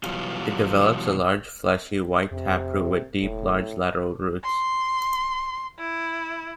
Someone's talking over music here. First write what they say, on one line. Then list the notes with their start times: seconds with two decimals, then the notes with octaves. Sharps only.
It develops a large, fleshy, white taproot with deep large lateral roots.
0.04 B2 E3 F#3 G3 F4
2.31 F2 C3
3.22 E1 A2
4.44 C6
5.79 E4